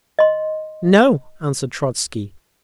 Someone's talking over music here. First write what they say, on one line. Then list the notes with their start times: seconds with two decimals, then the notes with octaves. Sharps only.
"No," answered Trotzky.
0.19 D#5 C6